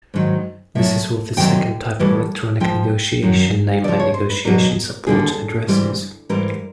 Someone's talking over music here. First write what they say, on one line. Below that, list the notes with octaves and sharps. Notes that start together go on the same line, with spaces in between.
This is what the second type of Electronic negotiation, namely Negotiation Support, addresses.
G#2 D#3 F#3
A2 F#3 E5
D2 C3 D#3 F#3 G5
A2 E3 G3
G#2 F3 G5
F#2 D#3 F#3
E2 C#3 F3 D5
C#5
C5
B4
E2 B2 F#3 A#4
D#2 D3 G3 G#4
G#2 E3 G3
G#2 E3 G3 A#4